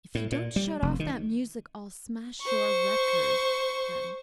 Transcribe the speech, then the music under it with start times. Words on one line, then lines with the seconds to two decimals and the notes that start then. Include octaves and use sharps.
"If you don't shut off that music I'll smash your record," threatened Ojo.
0.15 A2
0.32 A#2
0.56 G3
0.82 F1
1.00 D#3
2.42 C5 C#6